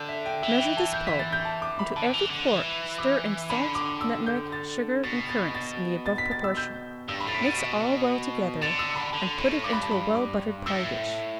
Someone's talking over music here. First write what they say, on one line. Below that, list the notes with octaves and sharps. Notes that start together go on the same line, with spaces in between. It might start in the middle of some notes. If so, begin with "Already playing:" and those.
Measure this pulp, and to every quart stir in salt, nutmeg, sugar, and currants in the above proportion; mix all well together, and put it into a well-buttered pie-dish.
Already playing: D3 G6
E5
G5
E3 E5
G5
A5
G6
B6
A6
G6
A5
D6
B5
D3 A5
E3
D3
E3
D6
D3 B5
D6
E6
G6
A6
B2 A6
A6
A6
A6
B6
A6
E6
G6
G2 E6
B5
A2 A6
B6
B2 A6
B6
D3 A6
E6
B5
D3 A5
A2
G2 D6
B5
A5
B5
D6
A2 E6